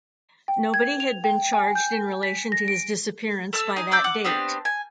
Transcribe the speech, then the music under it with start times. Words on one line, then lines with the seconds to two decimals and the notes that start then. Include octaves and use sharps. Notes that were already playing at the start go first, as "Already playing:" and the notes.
Nobody had been charged in relation to his disappearance by that date.
0.48 G5
0.74 G#6
1.00 F7
1.24 G5
1.53 G#5
1.75 G6
2.23 B6
2.52 A#6
2.68 D7
3.53 A3 A5 E6
3.76 D#4 G#5
3.91 D4 D6 E6 G6
4.04 F#5 D6
4.24 B3 C4 D4 G4
4.65 G#5